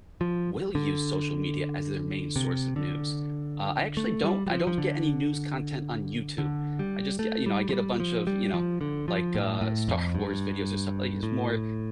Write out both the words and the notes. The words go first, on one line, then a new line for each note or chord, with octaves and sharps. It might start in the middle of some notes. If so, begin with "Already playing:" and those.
will use social media as their main source of news. Uh, I actually don't I don't get any news content on YouTube. I just g you know, I get a bunch of, you know, like, uh, Star Wars videos or stuff. Like, it's more,
F3
D3
C3
D3
A3
G3
G3
F3
F3
D3
D3
G3
A3
G3
F3
G3
F3
G3
F3
D3
F3
A2
A2
F2
G2
A2